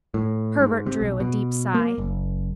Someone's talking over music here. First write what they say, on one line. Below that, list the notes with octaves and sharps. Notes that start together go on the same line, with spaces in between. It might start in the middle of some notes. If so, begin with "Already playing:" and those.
Herbert drew a deep sigh.
A2
G#2
C3
B1
B2
A#3
F#1